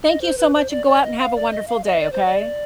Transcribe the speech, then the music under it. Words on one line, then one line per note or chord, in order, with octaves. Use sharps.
thank you so much and go out and have a wonderful day, okay?
D#5
C5
B4
C5
D5
D5
D#5
F5
D5
D#5
F5
D#5
D5
C5
D5